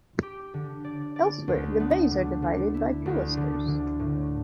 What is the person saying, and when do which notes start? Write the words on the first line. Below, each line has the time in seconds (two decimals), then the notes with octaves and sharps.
Elsewhere the bays are divided by pilasters.
0.23 G4
0.54 D3
0.84 D5
1.16 D5
1.48 D2
1.80 B3
2.11 D3
2.42 D3
2.74 E4
3.06 D2
3.37 D3
3.67 D3
4.00 A2